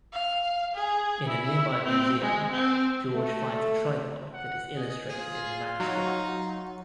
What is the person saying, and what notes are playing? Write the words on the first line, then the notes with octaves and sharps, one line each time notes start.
In a nearby museum, George finds a tripod that is illustrated in the manuscript.
F5
G#4
E4
C4
G#3
C4
A3
F#5
G#4 D#5
F4 G#4
F#3 D#4